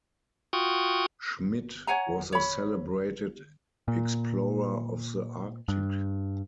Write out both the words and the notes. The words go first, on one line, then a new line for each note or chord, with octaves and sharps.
Schmidt was a celebrated explorer of the Arctic.
F4 F#4 G5 C#6 D#6
C#5 F#5 G#5 A#5
C#5 B5
A#2
G2